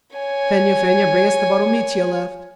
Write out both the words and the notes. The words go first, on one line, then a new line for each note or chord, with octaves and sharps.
Fenya, Fenya, bring us the bottle Mitya left!
C#5 G#5